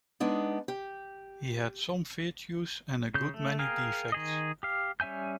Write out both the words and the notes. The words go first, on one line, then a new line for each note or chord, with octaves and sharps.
He had some virtues and a good many defects.
G#3 B3 D4 D#4
G4
C#3 G6
A3
G#4 A#4 F5 G5 G#5
D#3 G#4 D#5
G4 F5
G3 C#4 E5 G#5 G6